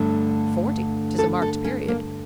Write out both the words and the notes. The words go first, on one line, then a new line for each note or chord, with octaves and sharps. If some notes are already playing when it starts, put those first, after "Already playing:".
Forty; 'tis a marked period.
Already playing: G2 D3 A3
A4
A4
C#4
A#3